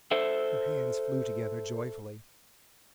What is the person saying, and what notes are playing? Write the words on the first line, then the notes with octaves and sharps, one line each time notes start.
Her hands flew together joyfully.
A4 C5 E5